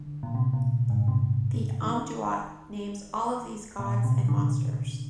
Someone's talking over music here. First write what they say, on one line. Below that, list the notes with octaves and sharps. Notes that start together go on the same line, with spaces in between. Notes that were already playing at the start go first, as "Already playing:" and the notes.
The "Amduat" names all of these gods and monsters.
Already playing: D3
A#2
C3
A#2
G#2
C3
D#3
A#2
C3
D3